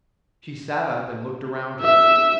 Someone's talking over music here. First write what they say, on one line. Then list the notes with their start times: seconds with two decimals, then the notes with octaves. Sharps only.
She sat up and looked around her.
1.81 E5